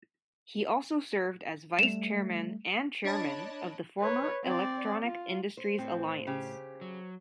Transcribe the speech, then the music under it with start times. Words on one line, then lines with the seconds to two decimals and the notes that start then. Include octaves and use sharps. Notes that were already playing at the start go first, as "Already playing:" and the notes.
He also served as Vice Chairman and Chairman of the former Electronic Industries Alliance.
1.79 G3 A3 E7 F7
3.04 D4 C#5 D#5 A5 B5
4.00 B4 C#5
4.43 C4 D5
5.02 F4
5.57 C5
5.78 A2 C4
6.27 C#3 G4
6.81 F#3